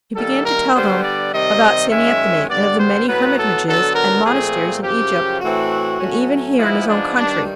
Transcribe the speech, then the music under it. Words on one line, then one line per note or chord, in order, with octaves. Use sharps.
He began to tell them about St. Anthony, and of the many hermitages and monasteries in Egypt, and even here in his own country.
D#3 G3 A#3 A4
A#4
D3 G3 B3 C5
D5
C3 D#3 G3 C4 D#5
F#2 D#3 G#3 C#4 E5
G2 D3 G3 B3 D5
C5
A2 F#3 B3 B4
A4
D3 F#3 B3 A4
A#4
A#2 F3 A3 C4 G#4
F#2 C#3 F3 G4
A2 E3 A3 C4 F#4
A2 F#3 A3 C#4
G#2 F3 G#3 B3 E4
D4
G2 D#3 G3 D4